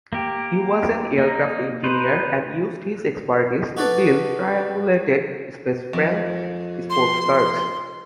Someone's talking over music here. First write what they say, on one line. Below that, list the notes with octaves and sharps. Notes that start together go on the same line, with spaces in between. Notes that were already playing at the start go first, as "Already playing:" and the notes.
He was an aircraft engineer and used his expertise to build triangulated spaceframed sportscars.
A#3 G4
A#3 D#4
D#4 B4 C5
D#4 F#4 A4 B4 D5
F2
C6